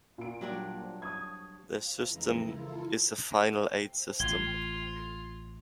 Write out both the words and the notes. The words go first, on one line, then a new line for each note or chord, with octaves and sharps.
The system is a final eight system.
A#2 D7
F#3 G3 D4
C#6 D#6 G#6
F2 C#3 E3 G#3 E4 A#5
E4 F4 A4 A#4
A1 F4 G#6 G7